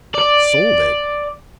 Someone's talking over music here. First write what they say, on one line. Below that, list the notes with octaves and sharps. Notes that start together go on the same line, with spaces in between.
Sold it!
D5